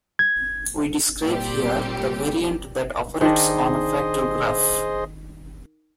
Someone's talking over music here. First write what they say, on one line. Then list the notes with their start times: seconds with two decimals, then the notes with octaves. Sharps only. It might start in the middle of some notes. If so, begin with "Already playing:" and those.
We describe here the variant that operates on a factor graph.
0.19 G#6
1.23 A#2 G3 C4 G4
3.21 D#3 D4 G#4 C5 D#5